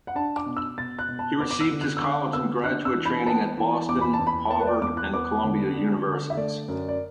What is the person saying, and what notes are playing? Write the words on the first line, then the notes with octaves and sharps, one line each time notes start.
He received his college and graduate training at Boston, Harvard, and Columbia universities.
F#5
D4 A5
D6
B2
E6
B2 A6
F#6
B2
A5
B3 D6
D6
E6
D3
F#6
E6
D3 D6
B3 E6
D4 F#6
E6
E3
B5
B3 A5
E3
E2 D6
B5
A5
E2
B5
B3 A5
B4
D5
E2 D6
F#6
B3 D6
D3
D4
D3
E5
A3 D5
F#2
D5